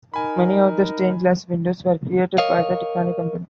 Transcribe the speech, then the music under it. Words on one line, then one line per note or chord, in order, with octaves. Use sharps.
Many of the stained glass windows were created by the Tiffany Company.
D#4 A#4 G#5 B5
A#4 C#5 D#5 F5